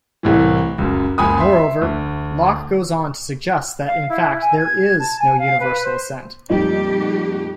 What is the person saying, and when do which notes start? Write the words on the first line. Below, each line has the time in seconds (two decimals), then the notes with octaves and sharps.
Moreover, Locke goes on to suggest that in fact there "is" no universal assent.
0.23 C2 A2 E3
0.78 C#2 F#2
1.18 F#1 C#2 G#5 B5 D#6
1.38 E5 C6
1.82 D2
3.87 F5
4.09 E4
4.41 G#5
4.57 G#6
4.99 A5
5.19 G#5
5.38 F5
5.60 B4
5.84 C5
6.50 F2 A#2 G3 A3 D#4 G4